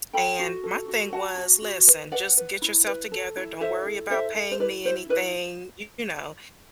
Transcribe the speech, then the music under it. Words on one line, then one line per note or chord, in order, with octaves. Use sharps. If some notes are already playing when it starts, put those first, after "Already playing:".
and my thing was, "Listen, just get yourself together, don't worry about paying me anything," you know,
A4 G5 B5
F#4
A4
F#4
F#4 F#5 A5
F#4
F#4
B4
B4 D5 F#5
B4
E4
B4
A4
E4
A4 C5 E5
E4
A4 C5 E5
A4
C5
E4 B4 D5
E4 C5
E4 B4 D5